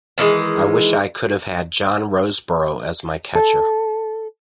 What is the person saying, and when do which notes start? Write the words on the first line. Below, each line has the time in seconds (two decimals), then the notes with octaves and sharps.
I wish I could have had John Roseboro as my catcher.
0.18 D#3 E3 G3 G#3
3.35 A4